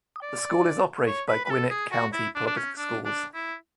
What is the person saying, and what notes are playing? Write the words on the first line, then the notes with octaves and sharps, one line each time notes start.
The school is operated by Gwinnett County Public Schools.
D5
C#5
B4
B4
A4
G#4
F#4
E4
D4
D4
C#4
D4
D4
E4